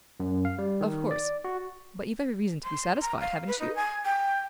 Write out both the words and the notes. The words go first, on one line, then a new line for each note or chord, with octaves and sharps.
"Of course...But you've every reason to be satisfied, haven't you?"
F#2
F5
G3
D#3
D5
F#4
C6
A#5
F5
B4
D#4
G#5
G5